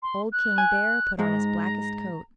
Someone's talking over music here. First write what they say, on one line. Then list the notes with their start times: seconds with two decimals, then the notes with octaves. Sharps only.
Old King Bear put on his blackest coat.
0.02 C6
0.32 F#6
0.58 G#5
1.19 G#2 G#3 A#5